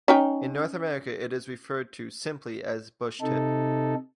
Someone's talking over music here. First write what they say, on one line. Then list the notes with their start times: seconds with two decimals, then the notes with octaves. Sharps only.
In North America, it is referred to simply as "bushtit".
0.08 C#4 D#4 G5
3.22 C3 D#4 A4